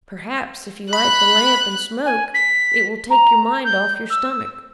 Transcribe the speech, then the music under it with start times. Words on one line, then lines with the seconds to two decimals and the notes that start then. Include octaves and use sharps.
"Perhaps if you light the lamp, and smoke, it will take your mind off your stomach."
0.93 B5 F#6
2.05 G#5
2.34 B6
3.10 A#5
3.64 G6
4.10 E6